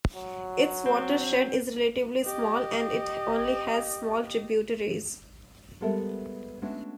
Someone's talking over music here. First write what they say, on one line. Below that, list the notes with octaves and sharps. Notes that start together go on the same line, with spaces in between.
Its watershed is relatively small, and it only has small tributaries.
F#3
C4
G4 D#5
G3 G#3 B3 A4 A#4 E5
G#3 A3 B3 C#4 D4 F#4